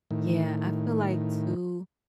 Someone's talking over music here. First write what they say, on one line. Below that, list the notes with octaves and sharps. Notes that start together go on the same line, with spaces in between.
Yeah, I feel like too,
A2 D#3